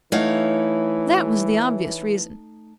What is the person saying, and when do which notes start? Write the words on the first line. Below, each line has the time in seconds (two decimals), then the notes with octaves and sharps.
That was the obvious reason.
0.12 E3 A3 D#4 E4 C#5 F5 F#5